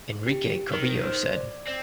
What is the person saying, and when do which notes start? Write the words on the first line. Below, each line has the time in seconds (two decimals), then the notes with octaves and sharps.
Enrique Carrillo said.
0.26 G4
0.74 D#3 A#4
1.05 C5
1.36 D5
1.67 C4 D5